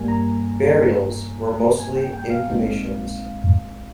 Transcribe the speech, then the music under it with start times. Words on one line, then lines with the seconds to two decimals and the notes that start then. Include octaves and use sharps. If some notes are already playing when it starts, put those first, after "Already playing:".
Burials were mostly inhumations.
Already playing: G2 G3 A#3 G#5
0.08 A#5
1.80 G#5
1.96 G5
2.13 G5
2.30 F5
2.48 A#1 A#2 G#3 C4 D#4